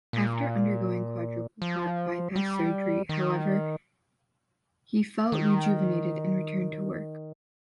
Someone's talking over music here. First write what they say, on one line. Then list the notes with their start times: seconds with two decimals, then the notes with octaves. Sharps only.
After undergoing quadruple heart bypass surgery, however, he felt rejuvenated, and returned to work.
0.13 A#2
1.62 F3
2.36 G3
3.09 D#3
5.32 D#3